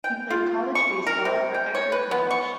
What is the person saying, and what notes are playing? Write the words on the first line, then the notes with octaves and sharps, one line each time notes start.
He played college baseball for Eckerd College.
G5
F4
C#6
A#4
C3
G5
C#5
B4
B3
C#6